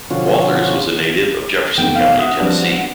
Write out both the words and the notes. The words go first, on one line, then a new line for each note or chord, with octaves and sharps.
Walters was a native of Jefferson County, Tennessee.
B2 D3 F3 C#4 F4 F#4
F1 B3 D#4 G5
F5
F#4 E5 F#5 D#6
F3 G3 C4 D4 B4